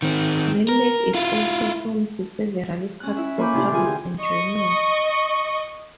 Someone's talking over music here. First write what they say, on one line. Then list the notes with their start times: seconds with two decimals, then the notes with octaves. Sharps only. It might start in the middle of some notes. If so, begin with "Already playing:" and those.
Green Lake is also home to several parks for public enjoyment.
0.02 D#3 C4
0.69 A#4
1.14 E4 F4
3.00 C#4 F#6
3.17 E4 E5
3.38 A#3 C#5 G#5 B5 D6 G6
3.53 A2 C3 A3 D4 E4 G4
3.71 D3 E3 F4 G#4 G#5
3.84 G4
4.21 D#5 C#6